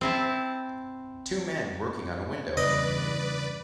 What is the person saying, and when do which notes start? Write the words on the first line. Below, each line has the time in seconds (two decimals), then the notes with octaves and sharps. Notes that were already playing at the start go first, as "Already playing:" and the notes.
Two men working on a window.
0.01 C4 E4 A5
2.57 E2 G2 C#3 B4 D5 D#5